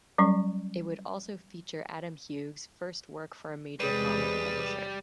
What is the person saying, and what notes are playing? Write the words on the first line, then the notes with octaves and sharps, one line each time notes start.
It would also feature Adam Hughes' first work for a major comic publisher.
F#3 G3 C#4 C#6
E2 C3 G3 G#3 G#4 B4